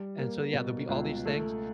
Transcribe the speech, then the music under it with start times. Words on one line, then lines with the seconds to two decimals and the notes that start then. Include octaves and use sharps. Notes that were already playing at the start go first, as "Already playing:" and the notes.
And so yeah, there'll be all these things,
Already playing: G3
0.17 A#3
0.53 B2
0.88 C#2
1.25 A3